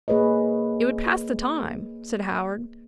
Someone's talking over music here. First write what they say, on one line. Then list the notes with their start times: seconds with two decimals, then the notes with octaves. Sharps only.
"It would pass the time," said Howard.
0.08 A#3 G#4 B4 C#5 D#5